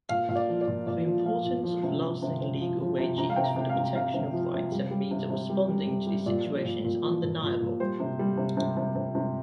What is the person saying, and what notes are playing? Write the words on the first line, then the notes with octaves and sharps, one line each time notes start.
The importance of lasting legal regimes for the protection of rights and means of responding to the situation is undeniable.
A#2 F5
A#2 F5
D5
F3
D5
A#2
A#2 D5
F3
F3 F5
A#2
F3
C3
C3
C3
C3
F3
F3
C3
C3 A#5
F5
C3 G5
A#5
C3
F5
C3
C3 F5
C3
F3
C3
G3
G3
C3
C3
G3
G3
G3
G3
A#2 D5
F3
A#2
A#2
F3
A#2
A#2
A#2
G3 C5
C3
G3
C3
C3
C3
C3
C3